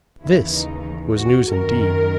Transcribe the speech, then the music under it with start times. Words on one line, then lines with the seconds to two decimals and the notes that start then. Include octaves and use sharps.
This was news indeed.
0.20 D#2 C#3 E3 E4
0.52 D#4
1.18 F#4
1.50 F#2 D#3 A#4